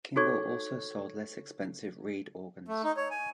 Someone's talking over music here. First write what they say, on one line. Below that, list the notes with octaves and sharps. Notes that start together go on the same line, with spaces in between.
Kimball also sold less expensive reed organs.
D#4 F#4 A4 C#5 C#6 G#6
A3
D#4
C#5
G#5